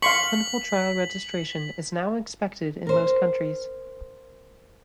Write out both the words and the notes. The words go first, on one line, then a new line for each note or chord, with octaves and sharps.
Clinical trial registration is now expected in most countries.
F5 C6 C#6 B6 F#7
A#4 C5